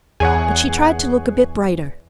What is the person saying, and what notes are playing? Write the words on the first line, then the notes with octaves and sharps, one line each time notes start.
But she tried to look a bit brighter.
E2 G#4 C#5 F#5 G#5